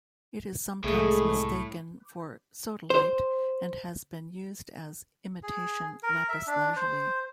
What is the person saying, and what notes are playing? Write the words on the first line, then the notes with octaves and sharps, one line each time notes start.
It is sometimes mistaken for sodalite and has been used as imitation lapis lazuli.
C2 A2 G#3 A3 G#4
C5
G#4
A#4
E5
D4
C5